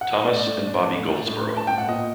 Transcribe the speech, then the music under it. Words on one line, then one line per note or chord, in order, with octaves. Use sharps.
Thomas and Bobby Goldsboro.
F#5
D#5
A2 D5
A2
D4
A2
A2
A2
A2
A5
A2 G5
F#5
A#2 D#5